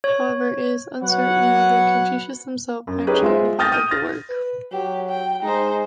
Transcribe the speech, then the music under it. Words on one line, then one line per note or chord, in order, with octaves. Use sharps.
However, it is uncertain whether Confucius himself actually compiled the work.
C#5
F#3 B3 B4 C#5 F#5
F#2
C#4 D#4 G4 G#4 B4
G#3 F4 C5 E5
G5 D#6 F6 G6 A6 A#6
D#6 F6 G6 D#7
F6 A6 A#6
B4
F#3 G4
G5
G#3 D#4 C5